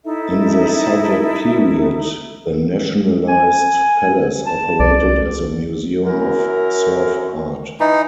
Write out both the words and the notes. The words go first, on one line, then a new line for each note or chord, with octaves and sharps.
In the Soviet period the nationalized palace operated as a museum of serf art.
D#4 E4 A4 E5
G#5
A5
C2 D5
F#2 E4 A#4
E3 D#4